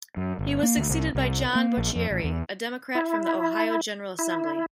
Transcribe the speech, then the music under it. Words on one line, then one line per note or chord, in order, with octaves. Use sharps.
He was succeeded by John Boccieri, a Democrat from the Ohio General Assembly.
F#2
G1
A#3
D2
C2
C2
A#3
A#1
F2
A1
E2
E4
E4